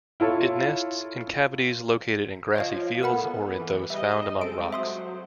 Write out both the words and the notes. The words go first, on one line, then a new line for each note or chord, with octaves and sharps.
It nests in cavities located in grassy fields or in those found among rocks.
E4 F4 A4 C#5
F3 C#5 D#5 F5
B3 A4 A#4 F#5 B5
E3
G3 D#5 E5
G#3 C4 A4 D7
F#3 C5 E5 C6 D#6